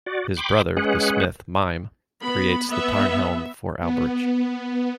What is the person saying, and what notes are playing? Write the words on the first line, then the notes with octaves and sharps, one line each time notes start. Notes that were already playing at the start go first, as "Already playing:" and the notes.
His brother, the smith Mime, creates the Tarnhelm for Alberich.
F#4 D5
G5 B5 C6 D6
G#3 C#4 G#4 B4 F#5
B3 B5
B3 E5
B3